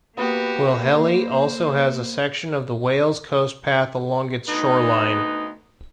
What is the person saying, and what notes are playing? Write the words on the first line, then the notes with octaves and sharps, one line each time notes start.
Pwllheli also has a section of the Wales Coast Path along its shoreline.
A#3 B3 F#4 G4 B4
C5
D2 B3 D#4